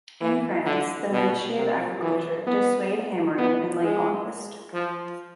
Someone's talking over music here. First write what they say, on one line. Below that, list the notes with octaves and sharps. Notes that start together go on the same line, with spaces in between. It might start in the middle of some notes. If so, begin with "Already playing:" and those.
In France, the ministry of agriculture dissuade hammering in late august.
E3
D3
B2
C3
E3
B3
B3
G#3
F3